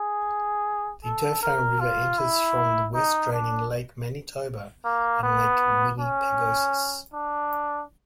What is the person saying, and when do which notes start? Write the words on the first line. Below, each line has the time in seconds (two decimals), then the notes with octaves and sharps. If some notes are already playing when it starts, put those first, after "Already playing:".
The Dauphin River enters from the west draining Lake Manitoba and Lake Winnipegosis.
Already playing: G#4
1.04 A4
1.43 A#4
1.81 F4
2.18 E4
2.94 D#4
3.33 D4
4.85 A#3
5.23 B3
5.99 C#4
7.14 D4